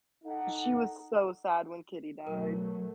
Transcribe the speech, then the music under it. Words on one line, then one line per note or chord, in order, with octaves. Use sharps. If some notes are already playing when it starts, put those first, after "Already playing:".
She was so sad when Kitty died.
D#4 A4 F#5
B2 F#3 A3 A#4